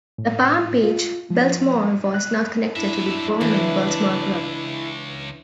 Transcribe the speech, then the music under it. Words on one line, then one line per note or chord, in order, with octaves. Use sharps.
The Palm Beach Biltmore was not connected to the Bowman Biltmore group.
A2
F4
F3
F#6
F#2 D4 E4 E5
C#2 E3